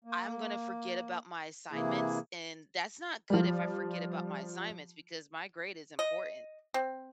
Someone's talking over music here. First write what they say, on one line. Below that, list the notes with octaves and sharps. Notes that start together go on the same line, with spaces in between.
"I'm gonna forget about my assignments," and that's not good if I forget about my assignments because my grade is important.
A#3
C3 E3 A#3 E4 G#4
F3 G3
D#5
C4